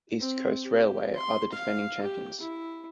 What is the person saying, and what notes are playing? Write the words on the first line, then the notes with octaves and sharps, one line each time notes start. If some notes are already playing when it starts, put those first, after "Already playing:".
East Coast Railway are the defending champions.
C4
G4
C6
F5
G4
E4